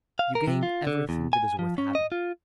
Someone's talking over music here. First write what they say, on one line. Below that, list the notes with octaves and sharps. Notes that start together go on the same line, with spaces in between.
You gain everything that is worth having.
F5
A#4
C3
F4
D3
E2
G#5
F3
C#4
D#5
F4